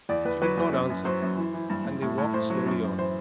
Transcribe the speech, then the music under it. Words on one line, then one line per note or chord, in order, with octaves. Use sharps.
She did not answer, and they walked slowly on.
E2 D5
E2 B4
F#3 B4
E2
F#2
F#2
F#3 C5
F#2
E3
E3
G2
G2
A2
A2
A2 C5
F#3
F#2
F#2
E3 C5